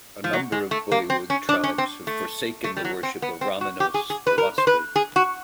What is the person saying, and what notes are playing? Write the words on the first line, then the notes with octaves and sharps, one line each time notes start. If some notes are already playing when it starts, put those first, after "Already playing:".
A number of bullywug tribes have forsaken the worship of Ramenos for Wastri.
F3
F#3
G#3
A3
A#3
C4
C#4
D4
C#4
C4
A3
A3
G3
F#3
C4
B3
C4
F#4
G4
G#4
G#4
B4
A#4
C5
B4
G#4
F#4